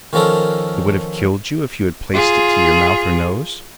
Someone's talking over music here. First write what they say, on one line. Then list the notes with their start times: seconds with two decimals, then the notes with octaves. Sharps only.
"It would have killed you if you had placed it to your mouth or nose?"
0.13 D#3 F3 C#4 A4 A#4
2.14 F4 G#4